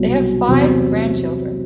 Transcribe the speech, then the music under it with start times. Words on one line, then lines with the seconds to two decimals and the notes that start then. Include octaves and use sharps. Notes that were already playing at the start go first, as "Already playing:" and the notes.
They have five grandchildren.
Already playing: C2 B2 F#3
0.48 E2 C3 F#3 C4